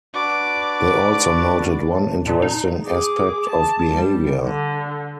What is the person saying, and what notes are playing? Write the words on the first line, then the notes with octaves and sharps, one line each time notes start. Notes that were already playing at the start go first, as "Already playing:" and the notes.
They also noted one interesting aspect of behaviour.
D4 F#4 B4 D5 D6
C#5 A5
A#2 D5 A5
D#4
G#4 D6
A5
G3
D3